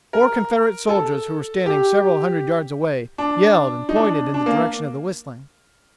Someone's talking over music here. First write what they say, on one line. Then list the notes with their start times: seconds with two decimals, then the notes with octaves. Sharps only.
Four Confederate soldiers who were standing several hundred yards away yelled and pointed in the direction of the whistling.
0.13 A#4
0.89 A4
1.66 G4
3.18 D4
3.89 D#4
3.96 D4
4.34 D4
4.46 A#3